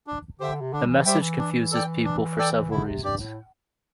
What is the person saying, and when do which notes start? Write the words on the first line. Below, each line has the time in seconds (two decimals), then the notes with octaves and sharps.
The message confuses people for several reasons.
0.07 D4
0.40 D3 G4 C5 E5 G5
0.61 C3
0.73 D3 D4
0.84 G3
0.89 E3
1.06 G3 G4 C5 E5 G5
1.22 E3
1.38 D4
1.71 A4 D5 G5
2.05 D4
2.38 A4 D5 G5
2.71 D3 E4
2.87 C3
3.03 G2 G4 D5
3.20 A2